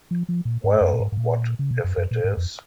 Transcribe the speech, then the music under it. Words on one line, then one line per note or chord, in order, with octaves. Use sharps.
Well, what if it is?
F3
F3
A#2
G#2
F#2
A#2
G#2
G#2
A#2
C#3
B2
F#2
F#2
A#2
G#2
F2